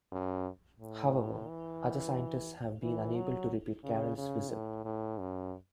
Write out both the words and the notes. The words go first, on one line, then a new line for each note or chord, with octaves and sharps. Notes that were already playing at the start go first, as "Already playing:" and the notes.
However, other scientists have been unable to repeat Carrel's result.
F#2
A2
E3
E3
F#3
C#3
C#3
A2
A2
F#2